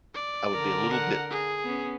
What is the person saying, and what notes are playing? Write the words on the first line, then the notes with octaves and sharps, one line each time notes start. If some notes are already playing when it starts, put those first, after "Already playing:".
I would be a little bit
D5
D3 A#4
F#5
G#4
B3 C#4